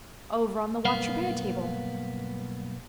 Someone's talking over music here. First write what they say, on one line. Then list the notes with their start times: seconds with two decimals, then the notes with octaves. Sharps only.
"Over on the watch repair table."
0.85 B1 G2 A#3 B3 F5